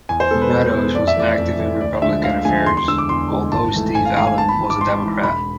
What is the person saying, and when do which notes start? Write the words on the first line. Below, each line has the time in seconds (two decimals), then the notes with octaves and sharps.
Meadows was active in Republican affairs although Steve Allen was a Democrat.
0.09 E2 G#5
0.20 C5
0.31 B2 G#3 B3 A4
0.42 B4
0.52 E2
0.74 B2 G#3 B3
0.95 F2 D5
1.07 E5
1.16 E3 A3 D5
1.38 F2
1.59 E3 A3
1.81 D2 D5
2.02 D3 F3 G#3 E5
2.24 D2 F5
2.45 D3 F3 G#3 G#5
2.66 E2 C6
2.77 C6
2.88 D3 G#3 E6
2.98 D6
3.09 E2 C6
3.31 D3 G#3
3.52 G#1 A5
3.73 G#2 E3 A3
3.95 G#1 G#5
4.05 F5
4.16 G#2 E3 A3 F5
4.27 G#5
4.38 G#1 A5
4.49 B5
4.59 G#2 E3
4.70 D6
4.80 G#1 C6
5.02 G#2 E3
5.23 E1 B5